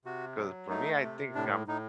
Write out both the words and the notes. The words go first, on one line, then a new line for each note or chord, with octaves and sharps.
'Cause for me, I think I'm
C3 F#4
F#3
A3 D#4
C3
A2 D4
A2 D#4